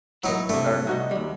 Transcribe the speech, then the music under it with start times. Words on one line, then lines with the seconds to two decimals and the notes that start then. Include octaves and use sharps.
can, uh,
0.24 F#3 D#4 E4
0.49 G2 C3 A3
0.87 C2 D#4 F#4 D#5
1.11 D#2 G3